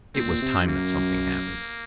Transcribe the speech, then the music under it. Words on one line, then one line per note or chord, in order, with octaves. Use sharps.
It was time that something happened.
A#2 C4
A#2
C3
F#2
A#3